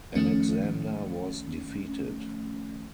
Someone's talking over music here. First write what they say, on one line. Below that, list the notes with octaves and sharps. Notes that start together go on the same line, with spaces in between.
Alexander was defeated.
D#3 F3 A3 C#4